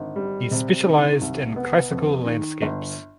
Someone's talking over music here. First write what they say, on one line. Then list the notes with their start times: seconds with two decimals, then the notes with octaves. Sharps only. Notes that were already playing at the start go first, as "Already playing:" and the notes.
He specialized in Classical landscapes.
Already playing: G#1 D3
0.16 G3
0.51 C3
0.86 D#3
1.21 C2
1.56 B3
1.91 F2
2.26 D#3
2.62 G1